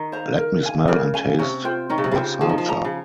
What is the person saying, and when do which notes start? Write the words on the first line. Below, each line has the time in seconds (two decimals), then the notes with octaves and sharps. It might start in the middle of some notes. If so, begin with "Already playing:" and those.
Let me smell and taste the salsa.
Already playing: D#3
0.12 C5 F5 A#5
0.38 A#4
0.63 F5 G#5
0.88 C#3 A#4
1.14 F5 G#5
1.39 C3 C#4
1.65 F4 C5 G5
1.89 D#3 C#4
1.98 C#3
2.04 C3
2.11 C#3 F4 C5 G5
2.41 F3 G#4
2.49 D#3
2.58 F3
2.66 D#5 A#5
2.85 C#3